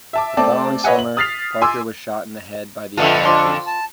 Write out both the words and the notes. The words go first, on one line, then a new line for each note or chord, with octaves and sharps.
The following summer, Parker was shot in the head by the Apaches.
E5 A5 D6
A3 C4 D5 A5
B4 C#5 D#5 E5 F#5 G#5
F#7
D#6 F6 A6 B6 C7 F7
G#5 C6 D6 E6
F2 D3 A3 B3 F4 A4
F3 D4 C6 C#6
A5